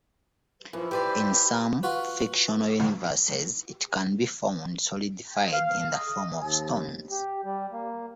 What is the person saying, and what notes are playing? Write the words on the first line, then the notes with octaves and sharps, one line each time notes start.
In some fictional universes, it can be found solidified in the form of stones.
F#2 E3 F3
G3 G4 B4 C5 D5
F4 F#4 B4
F5
D#5
D#2
G4
G3
A#3